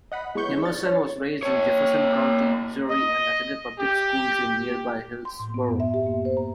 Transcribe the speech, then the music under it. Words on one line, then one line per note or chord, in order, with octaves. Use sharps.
Emerson was raised in Jefferson County, Missouri and attended public schools in nearby Hillsboro.
D#5 F#5 B5
G#3 B3 E4 C#5 C#6 G6
D4 A6
C#5
A#3 C#5
D#5
G4
C6
A2
B3
F#2
E5
G4
A#3
C5
A#5